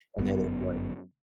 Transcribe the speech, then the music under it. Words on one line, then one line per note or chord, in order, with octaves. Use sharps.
and then it was
G1 F#2 A#2 B3